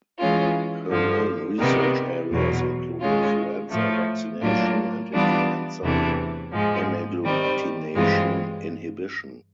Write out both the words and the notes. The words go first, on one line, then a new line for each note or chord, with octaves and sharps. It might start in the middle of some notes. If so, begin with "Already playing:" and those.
Her main research areas include influenza vaccination and influenza hemagglutination inhibition.
E3 G#3 C#4 F4
G2 D3 F3
C3 D#3 G3 B3
E2 B2 F#3
D#3 G#3 C#4 F4
A2 F3 A3
A2 F#3 A#3 D4 F4
E3 G3 B3 D4 F4
E2 C3 E3 A3 D4
G#2 F3 G#3
D#3 G3 C4
G2 E3 G#3 C4 F4